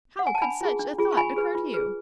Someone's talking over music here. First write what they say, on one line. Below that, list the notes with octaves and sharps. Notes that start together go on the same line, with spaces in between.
How could such a thought occur to you?
F#5
G#5
A5
D4 G#5 B5
F4 G#4
D4
F4 G#4
C#6
F4 G#5 B5
G#4 B4
F4
G#4 B4